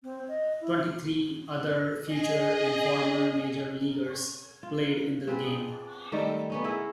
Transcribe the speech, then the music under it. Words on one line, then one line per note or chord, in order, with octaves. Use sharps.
Twenty-three other future and former major leaguers played in the game.
C4
D#5
E4
G#4 D#5
F4
C4 F4 G#4 B4
D#3 G3 A3 D#4
B3 C#4 D#4
E4 G#4 A#4 E5